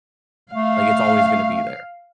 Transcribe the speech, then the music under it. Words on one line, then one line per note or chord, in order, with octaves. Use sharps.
Like, it's always gonna be there.
A3 F5